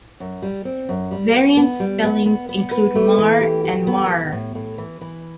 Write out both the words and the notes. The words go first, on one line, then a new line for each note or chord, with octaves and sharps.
Variant spellings include Mar and Marre.
F#2
G3
C4
F#2
G3
B3
B3
G3
B3
B3
B3
B4
A3
E3
G4
G4
B3
B3
A2
A2
E3
E3